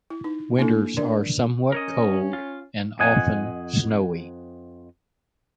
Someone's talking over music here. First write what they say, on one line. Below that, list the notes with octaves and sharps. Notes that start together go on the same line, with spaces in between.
Winters are somewhat cold and often snowy.
E4
D#4
A#3 D4 E4 A4
D4 A#4 D5
C#4 A#4 C#5 D#5
F4
F2 D#5 F#5 G#5